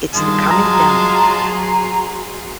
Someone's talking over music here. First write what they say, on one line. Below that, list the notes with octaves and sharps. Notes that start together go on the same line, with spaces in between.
It's the coming down.
G2 D#3 G#3 F4 A5
F#3 F#4 G#4 A#5 C6